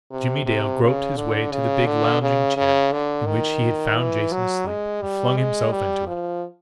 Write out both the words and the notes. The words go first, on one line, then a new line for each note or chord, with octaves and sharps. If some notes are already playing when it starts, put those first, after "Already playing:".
Jimmie Dale groped his way to the big lounging chair in which he had found Jason asleep, and flung himself into it.
C3
C3
C#3
D3
C#3
D3
C#3
C#3
D3
D#3
E3
F#3
G#3
G3
G#3
G3
F3